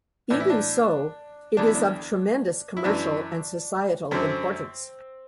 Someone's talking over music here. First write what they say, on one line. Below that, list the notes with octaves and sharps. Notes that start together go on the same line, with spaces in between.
Even so, it is of tremendous commercial and societal importance.
A2 E3 D4
E4
D4
E2 D3 D4
E4
D4
E4
F#2 E3 D4
F#2 D3 C4